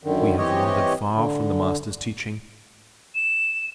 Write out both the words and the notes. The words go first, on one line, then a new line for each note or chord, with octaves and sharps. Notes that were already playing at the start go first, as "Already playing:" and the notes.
We have wandered far from the Master's teaching.
F#2 D3 D#3
E3 C4 G4 C#5 D#5
D3
E7